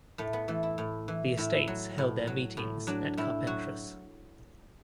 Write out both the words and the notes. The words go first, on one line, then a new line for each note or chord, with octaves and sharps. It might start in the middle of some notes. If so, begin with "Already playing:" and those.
The Estates held their meetings at Carpentras.
A2 A3
B3
E3 A3
E4
A2
E3
A2 E4
F#3
A2
F#3
A2
F#3 D4
A2 E4
F#3 F#4